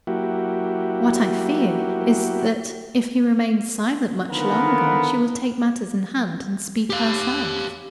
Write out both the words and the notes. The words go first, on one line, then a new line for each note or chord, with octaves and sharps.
What I fear is that if he remains silent much longer she will take matters in hand and speak herself.
F#3 A#3 E4 F#4 G4
D3 D#3 F3 B3 A4 A#4
G4 F5